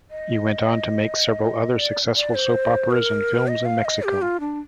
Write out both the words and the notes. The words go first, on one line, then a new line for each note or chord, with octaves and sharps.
He went on to make several other successful Soap Operas and films in Mexico.
D#5
D5
D5
C5
A#4
D#5
F5
D#5
G4
F4
D4